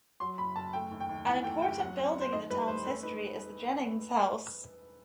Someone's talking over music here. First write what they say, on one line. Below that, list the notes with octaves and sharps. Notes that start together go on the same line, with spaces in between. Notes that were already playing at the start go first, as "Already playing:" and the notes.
An important building in the town's history is the Jennings House.
F#3 C6
F#1 B5
F#1 A5
A3 G5
D#2
G5
D#2
E3 F#5
A3 G5
F#1 G5
F#3 F#5
C4
G1
C5
D#3 D#5
G3 B4
E1 C5
A3 B4
D#4 B4